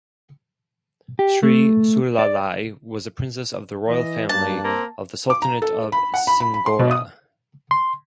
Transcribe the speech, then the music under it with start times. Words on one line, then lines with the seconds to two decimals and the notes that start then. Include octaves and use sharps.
Sri Sulalai was a princess of the royal family of the Sultanate of Singora.
1.19 G4
1.43 A3
2.19 D5
3.88 E3 D#5
4.29 G2 A#3 A5 F#6
4.64 A#3 C4
5.30 D6
5.42 A#5
5.62 A4
5.92 B5
6.14 F#5
6.27 B5
6.40 B5
6.54 B5
6.66 C6
6.79 B2
6.91 D#6
7.71 C6